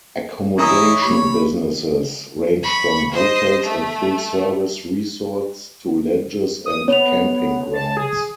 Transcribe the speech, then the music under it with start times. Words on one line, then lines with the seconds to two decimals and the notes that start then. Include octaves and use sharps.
Accommodation businesses range from hotels and full service resorts to ledges and camping grounds.
0.58 E3 E4 C#5 D#5 A#5 D#6
1.02 A#3 G4 B5 D6
2.63 B5 C#6
3.12 C5 D#5
3.63 A3
6.66 D#6
6.88 B3 C#5 F7
7.73 A5
7.97 G#4